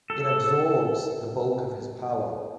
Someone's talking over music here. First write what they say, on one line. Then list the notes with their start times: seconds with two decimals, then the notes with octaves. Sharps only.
It absorbs the bulk of his power.
0.10 A4